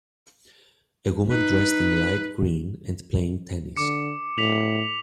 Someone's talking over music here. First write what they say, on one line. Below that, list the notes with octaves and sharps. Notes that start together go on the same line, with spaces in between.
A woman dressed in light green and playing tennis.
D#4 B4
D3 D6 C#7
A2 B6 F7 F#7